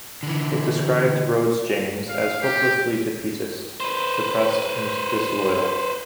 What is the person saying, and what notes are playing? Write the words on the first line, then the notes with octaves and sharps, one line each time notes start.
It described Rhodes James as "hopelessly defeatist, depressed and disloyal".
D3 E3
F5
G4
B4 C5